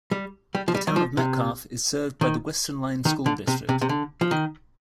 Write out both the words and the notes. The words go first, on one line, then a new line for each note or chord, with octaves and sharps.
The Town of Metcalfe is served by the Western Line School District.
G3
G3
F3
G3
D#3
F3
C3
D#3
D#3
D3
C3
C3
C3
D3
F3
D#3